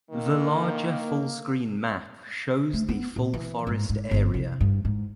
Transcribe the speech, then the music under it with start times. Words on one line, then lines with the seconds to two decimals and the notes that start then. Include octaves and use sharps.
The larger full screen map shows the full forest area.
0.10 D#3 A#3
2.73 A3
2.89 B3
3.16 A#1
3.34 E3
3.67 G#2
3.89 G#2
4.11 G1
4.34 C2
4.61 G2
4.85 G#2